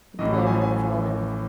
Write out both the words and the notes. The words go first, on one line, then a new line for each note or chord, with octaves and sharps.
The blow had fallen.
A1 A2 E3 D#5
F#5
G#5
G#5